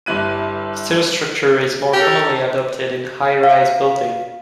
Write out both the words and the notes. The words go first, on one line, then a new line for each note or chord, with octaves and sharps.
Steel structure is more commonly adopted in high-rise building.
G1 G3 E4 F#6 D#7
G4 A4 A#4
F5